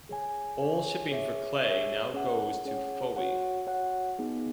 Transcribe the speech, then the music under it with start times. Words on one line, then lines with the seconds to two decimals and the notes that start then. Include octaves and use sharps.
All shipping for clay now goes to Fowey.
0.09 G#4 C#5 G#5
0.59 G#4 C#5 G#5
1.11 G#4 C#5 E5
1.62 G#4 C#5 E5
2.14 C#4 G#4 C#5 F#5
2.65 C#4 G#4 C#5 F#5
3.16 F#4 C#5 F#5
3.67 F#4 C#5 F#5
4.19 B3 D#4 G#4